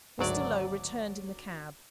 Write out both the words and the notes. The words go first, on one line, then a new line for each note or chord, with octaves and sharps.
Mr. Lowe returned in the cab.
G#1 D2 F#3 D5